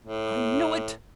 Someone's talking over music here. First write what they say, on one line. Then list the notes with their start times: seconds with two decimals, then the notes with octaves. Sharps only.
I knew it.
0.05 A2